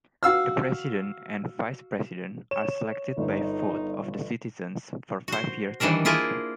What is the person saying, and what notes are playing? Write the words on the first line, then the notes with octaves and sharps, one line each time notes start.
The president and vice-president are selected by vote of the citizens for five-year terms.
F#4 F5 E6 F6
C#5 E7
G1 D#4
F#4 C5
D#3 E3 G3 D4 A#4
A#3 E4 F4 G#4 A#4